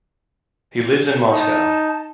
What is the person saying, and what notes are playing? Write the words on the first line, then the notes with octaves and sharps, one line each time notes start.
He lives in Moscow.
D#4 A5